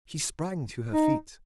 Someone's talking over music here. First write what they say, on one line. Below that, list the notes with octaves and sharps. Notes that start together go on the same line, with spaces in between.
She sprang to her feet.
D#4